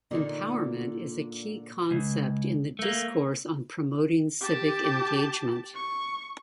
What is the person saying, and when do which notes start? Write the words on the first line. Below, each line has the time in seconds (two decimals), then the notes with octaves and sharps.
Empowerment is a key concept in the discourse on promoting civic engagement.
0.11 A#2 D3 D#4
1.91 C#2
2.79 A3 A#3
4.41 G4 A5
5.74 C#6